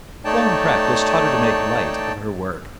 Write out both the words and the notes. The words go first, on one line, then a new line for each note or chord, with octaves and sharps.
Long practice taught her to make light of her work.
A3 D#4 C#5 D5 G5 A5